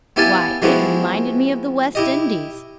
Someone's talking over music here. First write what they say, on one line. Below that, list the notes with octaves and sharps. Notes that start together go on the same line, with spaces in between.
Why, it reminded me of the West Indies.
B3 E4 G4 F5 G#5 A5
F3 G#3 B3 E4 F#4 G4
E4 G4 D#5